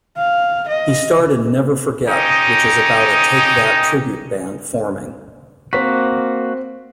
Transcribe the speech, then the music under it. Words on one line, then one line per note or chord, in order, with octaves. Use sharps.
He starred in "Never Forget" which is about a Take That tribute band forming.
F5
D#5
C#4 D#4 G4 D#5
A#3 C4 F#4 B6